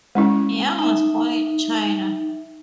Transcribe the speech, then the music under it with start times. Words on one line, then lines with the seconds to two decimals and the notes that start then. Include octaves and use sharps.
Yang was born in China.
0.15 G#3 C#4 E4
0.79 D#4 E5